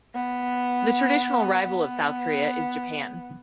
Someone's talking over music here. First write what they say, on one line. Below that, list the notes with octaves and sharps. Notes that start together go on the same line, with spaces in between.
The traditional rival of South Korea is Japan.
B3
B3